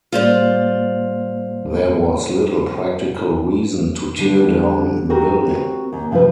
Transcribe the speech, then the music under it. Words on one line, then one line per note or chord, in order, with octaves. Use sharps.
There was little practical reason to tear down the building.
A2 G3 A#3 F4 C5 D5
D3 G3
C4 F#4 G4 A#4
D#2
C3 F3 A3 F4 B4